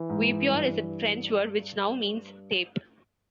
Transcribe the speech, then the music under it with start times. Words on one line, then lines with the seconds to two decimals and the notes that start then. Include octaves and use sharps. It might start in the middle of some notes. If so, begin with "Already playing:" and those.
Guipure is a French word, which now means tape.
Already playing: E3
0.09 G#2
0.48 G2